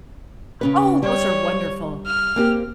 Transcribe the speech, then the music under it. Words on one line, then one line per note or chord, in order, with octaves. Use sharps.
Oh, those are wonderful.
C#3 C#4 B4
G3 C#5
F6
A#3 C4 G4